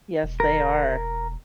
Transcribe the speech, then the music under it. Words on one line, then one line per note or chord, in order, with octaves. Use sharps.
Yes, they are.
E1
A#4